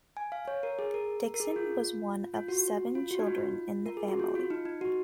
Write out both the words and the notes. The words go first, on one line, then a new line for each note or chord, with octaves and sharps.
Dixon was one of seven children in the family.
G#5
F5
C#5
A#4
G#4
A#4
A#4
G#4
F4
F4
F#4
F4
F#4
D#4
F4
A#4
G#4
F#4
F4
F4
D#4
D#4
F#4